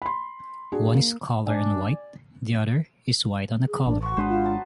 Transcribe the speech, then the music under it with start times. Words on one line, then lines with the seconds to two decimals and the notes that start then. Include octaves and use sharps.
One is a color on white, the other is white on a color.
0.02 B5 C6
0.72 D4 F#4 G#4
0.95 A#3
1.46 D4 D5 G#5
3.67 G#4
3.87 A1 D4
4.02 F3 F#4 C#6
4.17 G#1 G#3 B3 D4 B4 C5
4.29 F4
4.44 F#3 A5